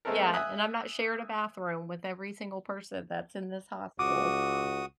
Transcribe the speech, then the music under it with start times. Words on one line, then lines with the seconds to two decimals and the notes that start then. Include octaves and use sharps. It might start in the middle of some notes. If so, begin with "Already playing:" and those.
Yeah, "And I'm not sharing a bathroom with every single person that's in this hostel."
0.05 G#3 A3 B3 C4 A4 A#4
0.33 E5 G#5 D#6 F#6
3.99 C#2 F#4 D6 D#6